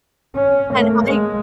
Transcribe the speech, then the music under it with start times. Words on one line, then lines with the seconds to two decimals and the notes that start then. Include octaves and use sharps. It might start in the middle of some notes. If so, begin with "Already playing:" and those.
and I
0.35 C#4
0.74 A3 A#3
1.06 G#3